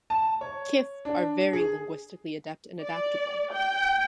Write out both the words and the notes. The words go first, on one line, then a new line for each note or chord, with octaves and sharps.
Kif are very linguistically adept and adaptable.
A5
C#5
D4
G#4
D5
G5